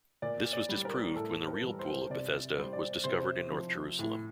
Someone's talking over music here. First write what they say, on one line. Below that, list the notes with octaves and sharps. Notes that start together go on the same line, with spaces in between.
This was disproved when the real Pool of Bethesda was discovered in north Jerusalem.
A#2 D5
D5
G3
A#4
A2 A4
A#4
E3 G3
C5
C3 D5
G3 C5
D5
C3 C5
F3
A2